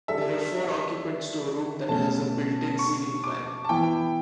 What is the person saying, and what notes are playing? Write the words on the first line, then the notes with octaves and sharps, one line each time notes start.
There are four occupants to a room that has a built in ceiling fan.
G3 D4 A4 E5
B2 A3 C#4 A5
C#6
D6
A5
E3 B3 E4 G5